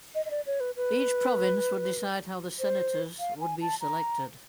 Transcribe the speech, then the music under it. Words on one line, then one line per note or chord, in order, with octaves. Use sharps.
Each province would decide how the senators would be selected.
D#5
D#5
D5
C#5
B4
B4
C5
F5
G#5
A5
A#5